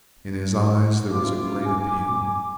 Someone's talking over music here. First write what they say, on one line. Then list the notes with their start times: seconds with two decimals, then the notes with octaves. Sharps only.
In his eyes there was a great appeal.
1.10 F#1 F4 D6
1.65 G#5